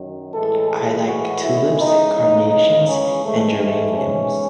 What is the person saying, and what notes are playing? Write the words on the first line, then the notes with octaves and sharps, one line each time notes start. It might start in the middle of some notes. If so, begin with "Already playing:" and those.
I like tulips, carnations, and geraniums.
Already playing: F#2 D#3 F#3
A2 E3 G#3 A4
G#4
F#4
E4
E2 C#3 G#3 D#4
D#4
D#4
C#4
G#2 E3 G#3 A3
A3
C#4